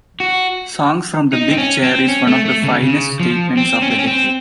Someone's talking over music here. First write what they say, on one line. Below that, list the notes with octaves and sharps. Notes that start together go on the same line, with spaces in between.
"Songs from the Big Chair" is one of the finest statements of the decade.
F#4
D#4
C4
C#4
C4
C#4
A3
A3
C#3
C#3
F3
C4
C#4
C4
C#4
C4